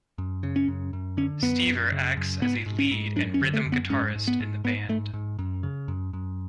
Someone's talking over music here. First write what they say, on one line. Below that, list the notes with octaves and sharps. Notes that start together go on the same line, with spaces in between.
Stever acts as a lead and rhythm guitarist in the band.
F#2
C#3
C#4
F#2
F#2
D3 C#4
F#2 B3
F#2
C#3
F#2
G#2 B3
G#2
C#4
G#2
F#2 D4
C#4
D3
A3
F#2
B3
G#2 C#4
G#2
B3
G#2
G#2 B3
G#2 A3
G#2
F#2
C#3
F#2
F#2